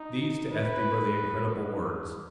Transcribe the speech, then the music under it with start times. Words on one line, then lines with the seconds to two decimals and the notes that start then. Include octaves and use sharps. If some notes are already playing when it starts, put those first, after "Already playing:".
These to Ethne were the incredible words.
Already playing: D#4
0.52 B4